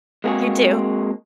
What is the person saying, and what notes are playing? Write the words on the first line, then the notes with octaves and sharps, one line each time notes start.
You, too.
G#3 A#3 C4 F#4 G#4